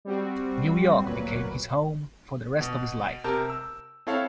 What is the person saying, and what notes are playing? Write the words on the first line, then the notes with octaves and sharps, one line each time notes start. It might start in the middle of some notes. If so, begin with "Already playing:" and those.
New York became his home for the rest of his life.
G3 C4 F#4
D2 A#2 F#3 B4
B2
C3 A#4 A5 G6
E6
C4 E4 A4 C#5 F5